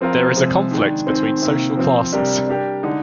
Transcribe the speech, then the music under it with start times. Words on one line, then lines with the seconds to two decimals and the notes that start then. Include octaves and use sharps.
There is a conflict between social classes.
0.01 F3 C4 F4 A#4
0.36 C3 F3 G#3
0.71 D#3 G#3 D4
1.07 D#3 G#3 C4
1.42 C3 D#3 A#3
1.77 F3 C4 F4
2.12 C3 G3 D4 G4 A#4
2.48 G3 D4 G4 A#4
2.83 D3 G#3 D#4